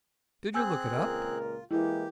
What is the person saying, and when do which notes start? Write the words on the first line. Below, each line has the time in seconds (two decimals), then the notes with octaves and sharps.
"Did you look it up?"
0.54 C4 G#4 G#5 E6 F#6 G6
0.94 C#2 A#2 A#4
1.39 F4
1.71 E3 G#3 A#3 E4 G4